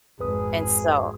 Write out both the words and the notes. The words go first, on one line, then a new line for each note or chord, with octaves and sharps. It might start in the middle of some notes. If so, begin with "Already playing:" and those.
And so
G#1 F2 G#4 B4 D#6